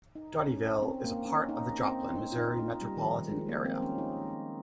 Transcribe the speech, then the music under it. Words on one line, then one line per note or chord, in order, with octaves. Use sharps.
Dotyville is a part of the Joplin, Missouri metropolitan area.
D#4
C#4
C4
A#3
C#4
D#4
C4
D#4
F4
D#4
D#4
G3
D#3
F3
G#3
A#3
C4
C#4
D#4